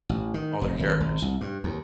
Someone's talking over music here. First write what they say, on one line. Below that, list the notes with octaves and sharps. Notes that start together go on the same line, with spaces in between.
Oh, they're characters.
A1
D#3
F1
G#1
G#1
C2
G2
D#2